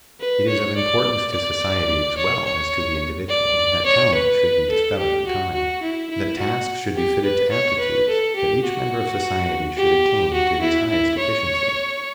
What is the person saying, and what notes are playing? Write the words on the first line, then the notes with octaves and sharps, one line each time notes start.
It is of importance to society as well as to the individual that talent should be discovered in time, that tasks should be fitted to aptitudes, that each member of society should attain to his highest efficiency.
B4
C#5
D5
D5
C#5
C#5
D5
C#5
B4
A4
G4
F#4
F#4
E4
E4
F#4
G4
B4
C#5
B4
A4
G4
F#4
G4
F#4
E4
E4
C#5